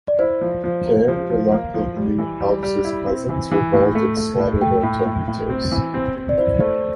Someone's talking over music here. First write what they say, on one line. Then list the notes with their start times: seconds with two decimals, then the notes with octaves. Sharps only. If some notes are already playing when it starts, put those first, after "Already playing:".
Kane reluctantly helps his cousins revolt and slaughter their tormentors.
0.08 D5
0.19 E4 C5
0.41 F3
0.64 F3
0.86 A#3
1.08 F3
1.30 F3
1.52 A#3
1.74 F3
1.96 G3
2.18 E3
2.40 G3
2.63 G3
2.85 E4
3.07 C4
3.29 E3
3.52 E3
3.73 A2
3.95 A3
4.17 A3
4.39 A2
4.61 A3 G5
4.83 A2
5.06 A2
5.28 A2
5.50 C4
5.72 E3
5.94 C4
6.16 C4
6.29 D5
6.38 E4 C5
6.60 A3 C5